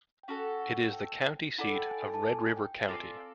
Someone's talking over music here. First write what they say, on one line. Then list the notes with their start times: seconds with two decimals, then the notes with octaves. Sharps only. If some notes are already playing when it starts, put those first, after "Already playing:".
It is the county seat of Red River County.
0.23 G5
0.28 C#4 F#4 A4 F#5
0.60 F#5
0.93 G5
1.58 E4 A4 D5 F#5
1.75 G5
1.91 G#5
2.14 A5
2.24 G#5
2.56 G5
2.88 C4 F4 A4 D5 G#5